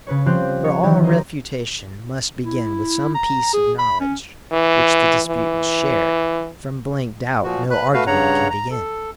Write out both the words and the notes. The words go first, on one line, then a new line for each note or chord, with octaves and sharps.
For all refutation must begin with some piece of knowledge which the disputants share; from blank doubt, no argument can begin.
C#3 B4 C#5
F3 G3 C4 G4 C5 F#6
C#5
D#3 E3 F#3 G4
G4 A#4 C5 D#5
E4
A#5
G#4
B5
C#4
E3
E3
A#2 F3 F#4
B4 B5 F#6
A3 F#4 B4 F5
G2 C#3 C#5 F#5 A#5
A#5
A4